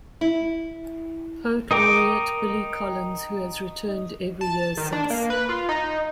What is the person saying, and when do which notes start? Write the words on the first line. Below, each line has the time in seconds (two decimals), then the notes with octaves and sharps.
Poet Laureate Billy Collins, who has returned every year since.
0.21 E4
1.71 D#4 A#4 G5 D6
4.41 A5
4.77 D#3
4.93 D4
5.10 A#3
5.30 B4
5.49 F4
5.69 D#4